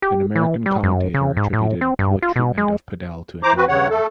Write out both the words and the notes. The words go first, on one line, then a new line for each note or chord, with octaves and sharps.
An American commentator attributed public treatment of Padel to a gender war.
G4
E3
G3
F#2
C#3
G#2
A2
C4
G2
F4
B2
G#3
E3 C5 A#5 D6
C4 F#4 B4
G2 C#3 C#5 F#5
A3 A4